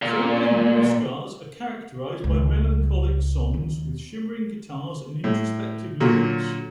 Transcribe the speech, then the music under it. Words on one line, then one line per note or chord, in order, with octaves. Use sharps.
Trembling Blue Stars are characterized by melancholic songs with shimmering guitars and introspective lyrics.
A#2
C#2
D#2
A2
A#2 D3 F#3